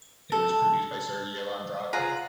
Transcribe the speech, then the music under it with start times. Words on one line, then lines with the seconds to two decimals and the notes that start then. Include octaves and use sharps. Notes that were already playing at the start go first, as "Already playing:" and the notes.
It was produced by Sergio Andrade.
0.32 A4
1.93 F4 G#4 F#5 A#5